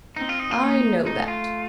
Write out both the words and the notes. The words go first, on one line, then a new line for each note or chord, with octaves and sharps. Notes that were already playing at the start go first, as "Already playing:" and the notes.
I know that.
C4 D#4
F4
D#4
F4
A#3 D#4
A3 D#4
F4